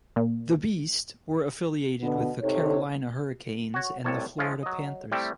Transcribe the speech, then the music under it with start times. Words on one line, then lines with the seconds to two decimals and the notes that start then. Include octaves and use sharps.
The Beast were affiliated with the Carolina Hurricanes and the Florida Panthers.
0.16 A#2
2.02 B2 D3 B3
2.42 C3 D#4 A4 C#5
3.74 F#4 C#5
4.04 C2 A2 C3 C#5 A5
4.38 F3 G#3 C#4 E4 F4
4.63 F#3 D#5
5.12 G3 A3 C4 E4 G4